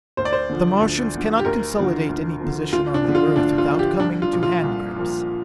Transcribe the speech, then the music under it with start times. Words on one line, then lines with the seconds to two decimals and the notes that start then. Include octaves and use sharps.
But the Martians cannot consolidate any position on the Earth without coming to handgrips.
0.17 D2 C5
0.25 D5
0.33 C5
0.50 D3 F3
0.81 D2
1.13 D3 F3
1.39 G4
1.45 D2 A#4
1.77 D3 F3
2.09 D2
2.40 D3 F3
2.72 D2 F4
2.94 D4
3.04 D3 F3
3.15 F4
3.36 D2 D4
3.58 F4
3.68 D3 F3
3.79 G4
4.00 C2 D4
4.22 F4
4.33 A#2 F3
4.43 F4
4.64 C2
4.96 A#2 F3